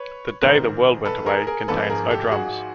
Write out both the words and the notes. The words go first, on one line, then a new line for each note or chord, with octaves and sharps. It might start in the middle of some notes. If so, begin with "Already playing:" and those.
"The Day the World Went Away" contains no drums.
Already playing: B4 C#5
A#1 G#2 D#3 A#4 C5
A4 B4
G#4 A#4
G#4 A#4
G#1 G#2 F3 A4 B4
G#4 A#4
G4 A4
F#4 G#4